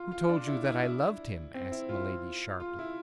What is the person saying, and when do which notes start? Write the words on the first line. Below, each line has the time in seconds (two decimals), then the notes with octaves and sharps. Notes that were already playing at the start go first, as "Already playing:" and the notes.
"Who told you that I loved him?" asked Milady, sharply.
Already playing: F4
0.12 F4
0.29 D4
0.47 E4
0.65 E4
0.82 E4
1.54 C4
1.72 E4
1.89 F4
2.60 F4
2.79 E4